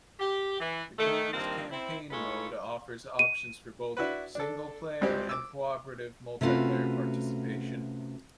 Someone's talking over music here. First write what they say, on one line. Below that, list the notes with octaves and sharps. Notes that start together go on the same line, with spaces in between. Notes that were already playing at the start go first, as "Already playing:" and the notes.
The game's "Campaign" mode offers options for both single-player and cooperative multiplayer participation.
G4
E3
D#3 A3
G2 D#3 F3 A#3 C4
C4 E4
G#3 D#4 F4 A4 B4 C#5
D#7
D4 E4 F#4 B4
D4 A4
G#1 C#2 G3 C4 G4
D6 E6
C3 A3 C#4 F4 F#4 B4